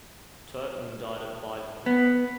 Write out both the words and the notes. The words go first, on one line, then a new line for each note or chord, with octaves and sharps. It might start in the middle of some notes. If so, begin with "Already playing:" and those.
Turton died at Bideford.
B3